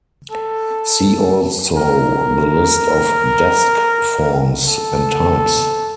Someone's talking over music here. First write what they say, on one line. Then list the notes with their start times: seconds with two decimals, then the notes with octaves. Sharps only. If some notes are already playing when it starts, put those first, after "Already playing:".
See also the list of desk forms and types.
0.32 A4
1.77 A#4
4.68 A4